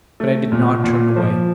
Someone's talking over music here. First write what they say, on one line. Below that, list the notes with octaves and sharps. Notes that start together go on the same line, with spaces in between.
But I did not turn away.
A3
A#2
A#2
F3